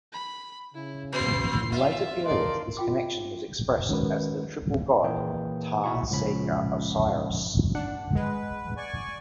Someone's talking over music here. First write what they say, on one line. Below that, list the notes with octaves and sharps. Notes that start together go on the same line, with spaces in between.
In later periods this connection was expressed as the triple god Ptah-Seker-Osiris.
B5
C#3 E4
A#2 C6 C7
F4 E5
E3 F#3 A3 A#4 D5 D#5 C6
F4 G5 D6
D#3 G#3 C#4 F#4 A#4 B4
A#2 E3 A#3 G#4 G5
B2 E4 F#4 C#6
C#2 A#2 F3 C#4 B5
F#2 D4 F#5
G#3 B4
D5 G#5 C#6